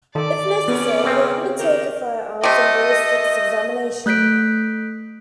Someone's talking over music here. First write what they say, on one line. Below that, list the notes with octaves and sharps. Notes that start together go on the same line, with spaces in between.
If necessary, they undertake a firearms and ballistics examination.
D#3 A4 D5
F2 B3 C#4 B4
C#3 C4
D#3 G4 A#4
C3 A3 D#5
A3 F#6 G6 B6 D7